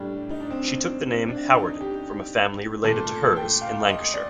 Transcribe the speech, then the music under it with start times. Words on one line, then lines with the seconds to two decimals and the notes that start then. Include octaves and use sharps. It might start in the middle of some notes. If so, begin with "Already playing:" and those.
She took the name Hawarden from a family related to hers in Lancashire.
Already playing: A2 G3 D4
0.30 D#4
0.40 D4
0.50 C4
1.28 D4
1.54 D#4
1.81 G4
2.84 A#2 A3 A4
3.37 G5
3.61 F5
3.88 D#5
4.14 D5